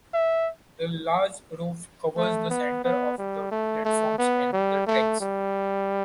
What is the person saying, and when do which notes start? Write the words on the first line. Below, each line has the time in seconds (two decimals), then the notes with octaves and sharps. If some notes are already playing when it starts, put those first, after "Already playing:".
A large roof covers the center of the platforms and the tracks.
0.14 E5
2.17 A3
2.50 B3
2.85 B3
3.18 G3
3.51 A3
3.85 A3
4.19 B3
4.53 G3
4.87 A3
5.20 G3